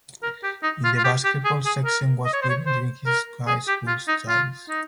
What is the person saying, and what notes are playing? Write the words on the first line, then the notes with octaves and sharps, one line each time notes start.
In the basketball section was given during his high school studies.
A#4
G4
D#4
F4
F4
G4
G4
G#4
G#4
A#4
D#5
C#5
C5
C#5
C5
A#4
G#4
G4
F4
D#4
F4
D#4